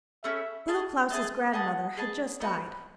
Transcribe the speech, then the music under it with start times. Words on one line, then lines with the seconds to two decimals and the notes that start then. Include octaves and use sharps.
Little Klaus' grandmother had just died.
0.24 A3 C#4 E4 G#4 E5
0.68 G#4 D#5 A5
1.10 G#4 D#5 E5 A5
1.53 G#4 D#5 F#5 A5
1.97 G#4 D#5 A5
2.40 B3 D#4 F#4 B4